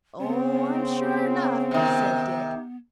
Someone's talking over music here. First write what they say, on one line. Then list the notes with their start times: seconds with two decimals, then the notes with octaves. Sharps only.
"Oh, I'm sure enough," said Dick.
0.21 C#3 B3 C4
1.71 C3 D#3